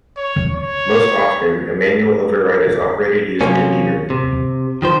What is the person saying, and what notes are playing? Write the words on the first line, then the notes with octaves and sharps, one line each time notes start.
Most often, a manual override is operated using a gear.
C#5
C#5
C3 F3 F#3 A#3 C#4
C3
D#3 F3 C5